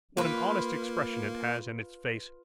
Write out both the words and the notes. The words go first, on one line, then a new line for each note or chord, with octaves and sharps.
What an honest expression it has in its face!
A#3 F4 B4